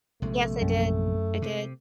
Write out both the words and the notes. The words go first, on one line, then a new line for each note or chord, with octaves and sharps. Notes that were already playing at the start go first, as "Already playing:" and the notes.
Yes, I did. I did.
A#1 C3 G#3 A3
F#2
C3